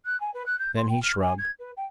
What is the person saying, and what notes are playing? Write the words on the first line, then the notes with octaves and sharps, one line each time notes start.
Then he shrugged.
F#6
G#5
B4
F#6
G6
C6
G5
F6
G#5
G#6
B4
G5